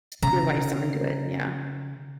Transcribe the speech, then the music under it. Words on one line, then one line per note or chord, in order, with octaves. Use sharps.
Your wife's onto it, yeah.
C#3 A#5